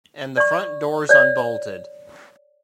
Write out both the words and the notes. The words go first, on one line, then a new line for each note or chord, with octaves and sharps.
And the front door's unbolted.
D5 C#6
C#5 D5